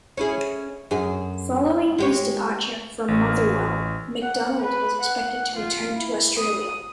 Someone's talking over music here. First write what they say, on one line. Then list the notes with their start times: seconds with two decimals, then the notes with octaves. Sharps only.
Following his departure from Motherwell, McDonald was expected to return to Australia.
0.17 C#4 E4 G#4
0.91 F#2 G#4
1.98 G#3 G4 C#5
3.08 A1
4.22 F#5
4.59 B4
5.01 F#5
5.56 F4
5.95 E4
6.38 D#6